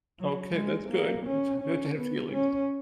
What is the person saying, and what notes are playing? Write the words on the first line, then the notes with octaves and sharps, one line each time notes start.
Okay, that's good. That's good to have feelings.
F#3
G#3
A#3
C#4
C#4
B3
C#4